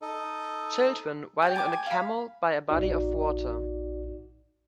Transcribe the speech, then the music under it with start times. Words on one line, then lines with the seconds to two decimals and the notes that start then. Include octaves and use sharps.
Children riding on a camel by a body of water.
0.02 D#4 A4 D#5
1.42 G4 D5 G5
1.55 G5 G#5 A#5 D6
1.73 G#5
1.86 F5 B5
2.69 A#1 D#4 F#4 D5